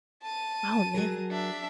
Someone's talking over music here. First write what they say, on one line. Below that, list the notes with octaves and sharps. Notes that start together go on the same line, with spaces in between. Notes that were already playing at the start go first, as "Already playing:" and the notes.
Oh, man.
A5 D#7
F#3 G#4 A#4
D4 E5